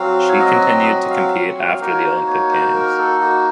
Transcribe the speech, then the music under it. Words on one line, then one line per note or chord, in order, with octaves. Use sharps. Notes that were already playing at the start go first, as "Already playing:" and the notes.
She continued to compete after the Olympic Games.
Already playing: F#3 C4 F#4 F5
C#5
D#5
D#5
F5
F#5
F5
A#3 D#4 F#4 A#4
C#5
C5
C#5
C5
A#4
A4
F#4